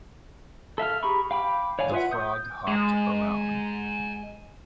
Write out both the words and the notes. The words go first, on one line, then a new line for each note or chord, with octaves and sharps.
The frog hopped around.
A4 E5 F5 F6
G4 G#4 A#5 B5 C#6
F5 G5 B5 D6
C#5 D5 F5 G#5
F4 B4 E5 F#5
D#6 G6
G#3 G#5 A#5